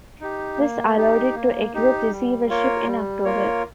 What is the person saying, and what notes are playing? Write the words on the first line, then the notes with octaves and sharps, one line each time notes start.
This allowed it to exit receivership in October.
D#4 G4
A#3
D#4 G4
A#3
D#4 G4
G3
A#3 F4 A#4 C#5
G3
A#3 F4 A#4 C#5